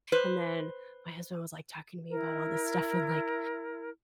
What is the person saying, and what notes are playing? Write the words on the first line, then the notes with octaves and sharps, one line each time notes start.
And then my husband was, like, talking to me about all this stuff and, like,
B4 C5
E4 A#4